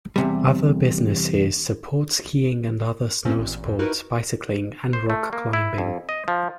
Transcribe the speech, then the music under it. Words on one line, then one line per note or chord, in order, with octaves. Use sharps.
Other businesses support skiing and other snowsports, bicycling, and rock climbing.
E2 C3 G3
G2 C4 C#4 C5
A1 A#2
F2
D#4 E4 F#4 A#4 B4
C5
A3
A#3
E4
F2
D#5
F3